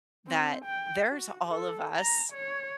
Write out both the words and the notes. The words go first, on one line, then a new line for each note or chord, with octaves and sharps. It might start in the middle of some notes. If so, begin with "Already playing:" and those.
that there's all of us
C4
G5
F#4
A4
A#5
C#5